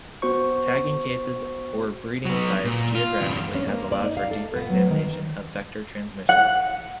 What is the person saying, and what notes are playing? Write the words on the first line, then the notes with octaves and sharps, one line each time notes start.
Tagging cases or breeding sites geographically has allowed for deeper examination of vector transmission.
B3 F#4 C5 C#6
F#3 B3
A#2
F4
E2 G2
C#4
A#3
D5
D#4
F5
A4
B3
F#3
D#3
F#5